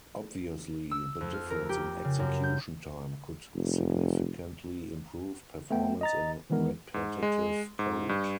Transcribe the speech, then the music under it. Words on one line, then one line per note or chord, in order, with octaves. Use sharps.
Obviously, the difference in execution time could significantly improve performance in repetitive code.
E6
F2
F6
A#4
G4
C#3
F#2
G6
F1
A3 B3 G5
D#5 A#5 A6
D#3 E3 G#3 B3 A#4
G#2
G#3
G#2
G2